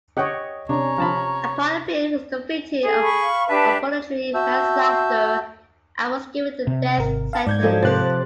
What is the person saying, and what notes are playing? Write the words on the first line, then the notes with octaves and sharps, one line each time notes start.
Upon appeal, he was convicted of voluntary manslaughter and was given the death sentence.
G4 C#5 D#5 F#5 G5
C3 C#4 D4 C#5 A#5
F3 A5 B5
G#4 A4
B5 C#6
F5
D4 G4 B4 E5 A5
F#4 E5 A5 E6 G6
C3
G#1 A#4
F5 A5 A#5
G#2 D5 G6 G#6
F3 D#4 A4
C3 G4 C5 F#6 A6